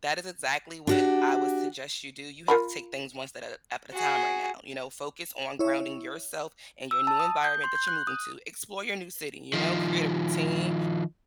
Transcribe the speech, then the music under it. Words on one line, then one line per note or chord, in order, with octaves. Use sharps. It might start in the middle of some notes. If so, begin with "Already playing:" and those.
that is exactly what I would suggest you do, you have to take things one step up at a at a time right now, you know? Focus on grounding yourself and your new environment that you're moving to. Explore your new city, you know? Create a routine.
D4 F#4 G4
F4 A#4 B5
F#4 G#4
E4 C#5 E5
E6
A5
D#6
G6
C6
G6
F#6
D#6
D#3 F3